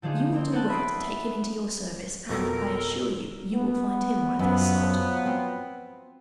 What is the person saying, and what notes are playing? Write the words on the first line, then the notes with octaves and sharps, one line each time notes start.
You will do well to take him into your service, and, I assure you, you will find him worth his salt.'
D3 F3 D4 D#4 G#4
A#3 C4
B3 C4 C#5 F#5 A5
E5 B5 D#6 C7 D7
F2 B2 A4 A#4
B3
F#2 F3 F#3 B3
C4